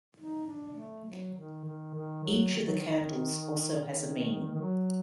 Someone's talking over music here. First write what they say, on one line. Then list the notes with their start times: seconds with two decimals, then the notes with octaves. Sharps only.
Each of the candles also has a meaning.
0.16 D#4
0.46 D4
0.76 A3
1.05 F#3
1.34 D#3
1.65 D#3
1.94 D#3
2.24 F#3
2.54 D#3
2.65 F#3
2.76 D#3
3.72 D#3
4.55 D#3
4.61 F#3